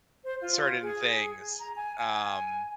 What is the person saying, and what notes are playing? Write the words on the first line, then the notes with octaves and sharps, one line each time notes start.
certain things, um
C5
F4
G#4
A#5
G#5
G#5